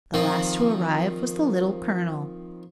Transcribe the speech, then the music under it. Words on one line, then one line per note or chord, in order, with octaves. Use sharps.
The last to arrive was the Little Colonel.
D#3 F3 C4